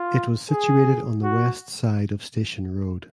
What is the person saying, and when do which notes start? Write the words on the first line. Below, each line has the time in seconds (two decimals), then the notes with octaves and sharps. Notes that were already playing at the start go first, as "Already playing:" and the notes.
It was situated on the west side of Station Road.
Already playing: F4
0.50 G#4
1.23 F#4